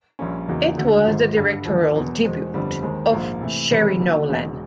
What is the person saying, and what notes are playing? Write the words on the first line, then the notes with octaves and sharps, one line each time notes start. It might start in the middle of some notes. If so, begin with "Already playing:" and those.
It was the directorial debut of Cherie Nowlan.
A#1 A#2 G3 A#3 C#4
E2 C#3 F#3 A#3 D#4
D2 D3 F#3 A3
G#1 G#2 F3 A3
G2 D3 G3
D#2 D3 F3
E2 B2 F#3 B3
E2 B2 G#3 C4
G1 F2 D3 G3 C4
D#2 D#3 G#3 C4
A#1 G#2 F3 A#3
C3 E3 A3
E1 E2 C3 D#3 G3
D#2 D3 F#3 A#3
E1 E2 B2 G#3